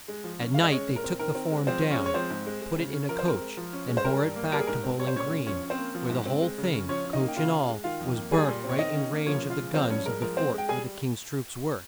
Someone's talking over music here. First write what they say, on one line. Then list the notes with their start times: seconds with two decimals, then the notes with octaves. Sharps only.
At night they took the form down, put it in a coach, and bore it back to Bow-ling Green, where the whole thing--coach and all--was burnt right in range of the guns of the fort where the King's troops were.
0.08 G#3
0.24 F3
0.40 C#4
0.54 G#3 F5
0.64 D#5
0.72 G#3 C#4 C#5
0.88 A#2
0.96 A#4
1.04 C4
1.19 D#3 A#4
1.35 C4
1.51 G#3
1.67 F3 C4 C5
1.82 C4
1.91 C#4 C#5
1.98 G#3
2.06 C#5
2.14 F3 C4 C5
2.30 G#2
2.46 G#3
2.62 G#3
2.78 C#3
2.93 C#4
3.09 F3 A#4
3.19 C5
3.25 C4 A#4
3.41 G#3
3.57 F3
3.73 C#4
3.88 G#3
3.97 C5
4.05 G3 A#4
4.21 G2
4.36 A#3
4.52 G3 A#4
4.60 G#4
4.67 G#2 A#4
4.83 C4
4.99 G3 C#5
5.07 C5
5.16 A#2 C#4 C#5
5.31 C#4
5.46 F3 C#4 C#5
5.63 C#4
5.70 C4 C5
5.78 A#3
5.95 F3
6.10 G#2
6.26 C4
6.42 G#3
6.58 C#3
6.74 C#4
6.89 F3 C#4 C#5
7.05 C#4
7.13 D#4 D#5
7.21 A#3
7.28 G5
7.36 C#3 F4 F5
7.53 C#4
7.69 G#3
7.84 D#3 F4 F5
8.00 F2
8.16 A#3
8.31 G3 G#4 G#5
8.48 A#2
8.64 C4
8.69 C#5
8.79 D#3 D#4 D#5
8.95 C#4
9.12 A#3
9.27 F3 C#4 C#5
9.42 C#3
9.50 F4 F5
9.58 G#3
9.74 F3 C4 C5
9.89 G2 C#4 C#5
10.06 G#3 A#4
10.22 F3 A#4
10.37 C4 C5
10.54 G#3 G5
10.69 G3 G#4 G#5